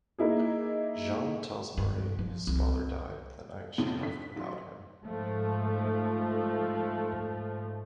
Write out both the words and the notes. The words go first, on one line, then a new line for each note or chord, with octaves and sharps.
Jean tells Marie his father died the night she left without him.
A#3 D#4 E4 G#4
G2
F3
C2
A1 F2 A2 C3
D3 A4 B6
A1 F#3 C6
G#2 F3 A3